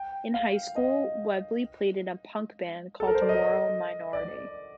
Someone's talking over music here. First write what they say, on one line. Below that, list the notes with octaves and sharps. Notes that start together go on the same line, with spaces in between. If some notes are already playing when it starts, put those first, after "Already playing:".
In high school, Webley played in a punk band called Moral Minority.
Already playing: G5
F5
D#5
A4
A#4
C5
D5
D#5
D5